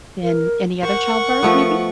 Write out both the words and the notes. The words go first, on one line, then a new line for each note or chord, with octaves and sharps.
than any other childbirth, maybe?
A#4
A#4 C5 F#5 C#6
F3 A3 B3